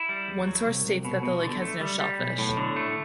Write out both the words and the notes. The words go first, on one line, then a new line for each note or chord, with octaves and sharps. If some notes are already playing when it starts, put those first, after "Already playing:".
One source states that the lake has no shellfish.
Already playing: E4
G3
E2
F#3
C2
C2
B2
B2
D3
A3
G3
G3
B1
A2
D3
A3